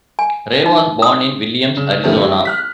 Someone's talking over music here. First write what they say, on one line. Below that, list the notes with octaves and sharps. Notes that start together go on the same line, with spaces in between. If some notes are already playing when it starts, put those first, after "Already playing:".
Ray was born in Williams, Arizona.
G#5
D#4
D#6
C#3
D#3 F3 G3 A3 B3 C#4
G3 G#3 E4
F6 F#6 B6